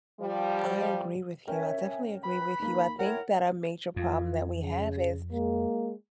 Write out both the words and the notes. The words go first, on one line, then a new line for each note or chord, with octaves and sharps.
I agree with you, I definitely agree with you, I think that a major problem that we have is
F3 G3
C#4 A#4 C#5 E5 G5 G#5
B4 B5
D#2 A#3
E4 A#4 C#5 F#5 G5
F2 F4
C#3
G#3 A#3